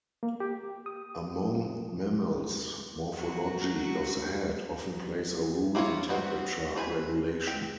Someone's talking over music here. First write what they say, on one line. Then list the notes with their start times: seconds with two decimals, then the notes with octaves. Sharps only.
Among mammals, morphology of the head often plays a role in temperature regulation.
0.23 A#3
0.40 G4
0.86 D#6
3.18 F#3 F#4
5.75 A#3 E4 F4 A4 C#5
6.09 B3 C4 F#4 F#5
6.76 C4 B4 C5 G#5
7.47 G5